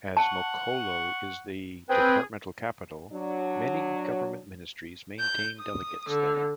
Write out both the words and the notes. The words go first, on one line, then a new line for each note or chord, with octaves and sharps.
As Mokolo is the departmental capital, many government ministries maintain delegates there.
F#5 A5 C#6
C4 G#4 B4 G5
F#3 D4
G6
D#6
D3